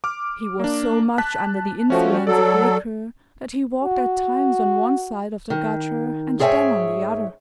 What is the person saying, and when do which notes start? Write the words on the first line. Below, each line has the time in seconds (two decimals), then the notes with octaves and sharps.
He was so much under the influence of liquor that he walked at times on one side of the gutter and then on the other.
0.04 D6 F6
0.59 A#3 D4
1.18 A5 F#6 B6
1.90 F3 A3 C#4 F#4
2.27 F#3 A4 D5
3.84 F#4
5.50 D#3
6.39 G#2 G#4 C#5 E5 G5 G#5